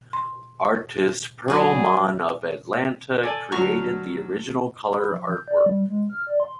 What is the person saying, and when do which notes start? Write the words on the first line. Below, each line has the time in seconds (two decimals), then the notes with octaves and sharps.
Artist Pearl Mann of Atlanta created the original color artwork.
0.13 C6
1.48 F#3 D4 F#4 G#4 B4 D5 G#6
3.24 A4 D5 G#5
3.52 D2 F#3 F#4 A#5 C#6 F6
4.95 B5
5.12 F3
5.30 G6
5.48 D5
5.66 G3
5.88 G#3
6.10 F6
6.27 D5
6.40 C6